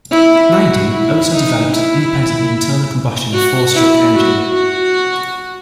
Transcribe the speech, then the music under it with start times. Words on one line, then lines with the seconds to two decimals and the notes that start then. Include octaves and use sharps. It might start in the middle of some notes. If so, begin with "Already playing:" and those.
Naidu also developed independently internal combustion four stroke engine.
0.11 E4
0.51 F#4
0.92 E4
1.33 D#4
1.72 E4
3.33 F#4
3.74 E4
4.14 F#4
4.53 F#4